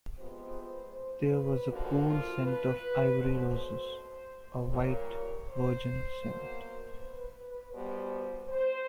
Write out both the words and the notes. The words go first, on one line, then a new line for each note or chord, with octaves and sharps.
There was a cool scent of ivory roses — a white, virgin scent.
C3 F3 G#3 B3 C5
C5
B4
D#2 D3 F3 A#3 F#4
F4
B4
B2 F#3 A3 C5
A#2 G3 A#3 C#5
C5
B2 F#3 A#3
B4
B2 G3 B3 C5
C5